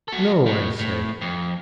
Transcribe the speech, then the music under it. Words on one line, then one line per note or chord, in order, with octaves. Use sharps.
"No," I said.
F#4 A4
A2
A2
F2